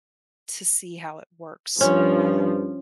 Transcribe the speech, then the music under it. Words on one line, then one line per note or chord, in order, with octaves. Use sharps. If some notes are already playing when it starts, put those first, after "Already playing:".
to see how it works, um
G2 F3 C#4